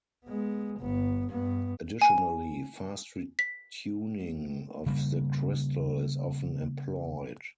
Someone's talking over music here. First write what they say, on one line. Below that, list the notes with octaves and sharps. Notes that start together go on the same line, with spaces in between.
Additionally fast retuning of the crystal is often employed.
G#3 B3
G1 B3
G2 B3
G#5
B6
C#3 G3 A#3